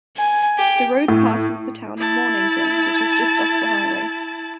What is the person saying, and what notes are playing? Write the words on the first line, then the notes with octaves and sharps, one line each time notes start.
The road passes the town of Mornington which is just off the highway.
G#5
G4
A2
E4 A5